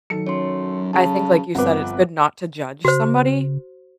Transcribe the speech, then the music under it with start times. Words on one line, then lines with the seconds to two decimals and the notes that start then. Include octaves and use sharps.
I think, like you said, it's good not to judge somebody
0.10 D#3 F#3 A4 C#7
0.27 F#2 C#5 C6
0.93 C#3 A5
1.55 G1 F2 C4 B4 F#5 D6
2.85 C#3 F#4 C5